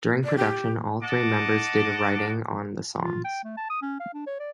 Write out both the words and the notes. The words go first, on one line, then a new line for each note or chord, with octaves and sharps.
During production, all three members did writing on the songs.
D5
G4
D#5 F#5 A5 D6
F4
G5
A3
A5
D#6
C#4
F5
D4
C#5
D5